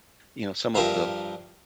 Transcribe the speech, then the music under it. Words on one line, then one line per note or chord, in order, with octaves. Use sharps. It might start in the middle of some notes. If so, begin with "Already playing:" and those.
you know, some of the,
G2 F3 G4 A#4 E5 F5